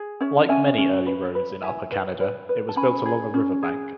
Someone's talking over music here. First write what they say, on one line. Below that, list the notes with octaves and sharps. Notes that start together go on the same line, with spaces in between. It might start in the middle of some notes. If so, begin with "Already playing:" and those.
Like many early roads in Upper Canada, it was built along a river bank.
Already playing: G#4
C#4 C#5 E5
C#4 E5 G#5
C#4
B4
B4
E4 E5 G#5
B4
B4
B4
A5
C#4 G#5 B5
G#4
C#4
G#4